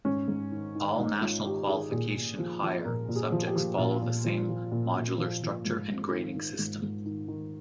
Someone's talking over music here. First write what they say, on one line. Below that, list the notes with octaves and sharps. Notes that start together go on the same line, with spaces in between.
All National Qualification Higher subjects follow the same modular structure and grading system.
G#2 C#4
G#2
D#3
D#3
G#2 D#4
G#2 F4
D#3 G4
D#3 G#4
A#2 G#4
A#2
F3
F3
A#2 A#4
A#2
G#4
F3
G4
F3
A#2 F4
A#2
F3
F3
A#2
A#2
F3
F3
G#2
G#2
D#3
D#3
G#2
G#2
D#3
D#3